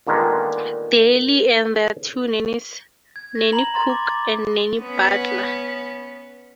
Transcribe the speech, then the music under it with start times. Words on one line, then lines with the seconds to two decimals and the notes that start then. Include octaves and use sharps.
Dearly and their two nannies, Nanny Cook and Nanny Butler.
0.07 A#2 D3 D#3 G3 G#3 B3
3.16 G#6
3.35 A#6
3.52 A#5 B5 F#7
3.74 A#5 C6 A6
3.87 C6 D6
4.06 D6 A6
4.80 B3 C#4